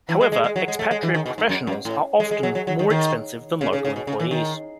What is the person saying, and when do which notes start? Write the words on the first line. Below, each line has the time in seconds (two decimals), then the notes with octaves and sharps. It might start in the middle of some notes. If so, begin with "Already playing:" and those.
However, expatriate professionals are often more expensive than local employees.
0.09 E3
0.21 G#3
0.32 G#3
0.44 G#3
0.56 F#3
0.68 G#3
0.79 A3
0.91 G#3
1.03 E3
1.14 D#3
1.26 B2
1.38 G#2
1.49 F#2
1.67 F#2
1.85 A2
2.20 G#3
2.31 G#3
2.43 F#3
2.55 F#3
2.67 F#3
2.79 D#3
2.90 D#3
3.61 C#3
3.73 C#3
3.85 C#3
3.96 B2
4.07 C#3
4.20 E3
4.31 D#3